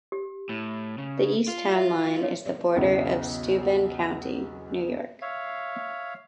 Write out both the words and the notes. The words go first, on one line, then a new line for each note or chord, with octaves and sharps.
The east town line is the border of Steuben County, New York.
G4
A2
C#3
F4
E5
C#5 F5
B1 E2 C#3
C#5 E5 F5